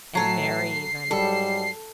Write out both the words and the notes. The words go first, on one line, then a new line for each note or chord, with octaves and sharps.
And Mary even.
A2 F#3 A4 C7
G#2 F#3 G3 A4